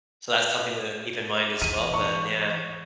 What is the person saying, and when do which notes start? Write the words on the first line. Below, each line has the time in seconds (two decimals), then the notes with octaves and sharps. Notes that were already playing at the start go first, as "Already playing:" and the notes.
So that's something to keep in mind as well then, yeah.
1.62 E3 D#7
1.94 C#6